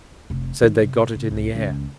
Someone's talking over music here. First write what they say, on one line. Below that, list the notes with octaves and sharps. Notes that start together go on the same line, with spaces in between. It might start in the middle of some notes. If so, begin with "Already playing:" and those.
Said they got it in the air.
F1 C3
D#3 D#4
C3
C#3
C2
C#2